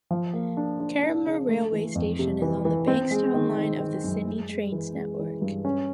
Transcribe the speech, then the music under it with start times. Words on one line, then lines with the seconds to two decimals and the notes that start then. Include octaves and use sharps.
Carramar railway station is on the Bankstown Line of the Sydney Trains network.
0.11 F3
0.33 A#3
0.57 D4
0.80 D4
1.03 D4
1.26 C#3
1.49 A3
1.72 E3
1.95 F2
2.19 C3
2.42 E3
2.65 E3
2.87 C4
3.11 G#3
3.34 D#3
3.57 D#3
3.80 D#3
4.04 F#2
4.26 G#3
4.49 G#3
4.72 E3
4.96 G#3
5.19 E3
5.42 G2
5.65 C#4